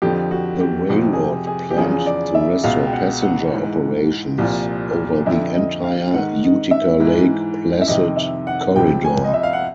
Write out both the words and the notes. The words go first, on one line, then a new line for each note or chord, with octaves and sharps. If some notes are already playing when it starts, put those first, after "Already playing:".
The railroad planned to restore passenger operations over the entire Utica-Lake Placid corridor.
F2 D3 F3 G4
F#4
G4
F2 C3 F3 F#4
G#4
G4
G#4
G4
E2 C#3 F3 G#4
D5
E5
C#2 B2 F5
G5
F#5
F#5
G#2 E3
C2 A#2 F3
F2 D3 F3 E5
D#5
F5
G#2 D#3 F#5
D#5
E5
G#2 E3
E5
F2 C3 D#3 D#5
E5
F#5
C#2 C3 F3 G5
G#5
D#5
E5
F5
F#5